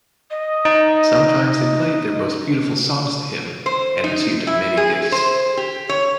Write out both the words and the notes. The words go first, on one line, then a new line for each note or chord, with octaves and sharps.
Sometimes they played their most beautiful songs to him and received many gifts.
D#5
D#4
C5
D#4
E4
G#4
C5
G4
C#5